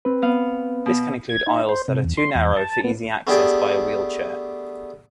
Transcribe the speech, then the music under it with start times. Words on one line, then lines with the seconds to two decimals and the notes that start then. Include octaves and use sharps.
This can include aisles that are too narrow for easy access by a wheelchair.
0.05 C4 B4
0.22 B3 F5
0.86 B2
1.29 G#6
1.47 D#4
1.69 C5
1.88 C3
2.04 E2
2.17 C6
2.35 E2
2.57 A5
2.84 B3
3.27 A3 B3 D4 G4 G#4 D5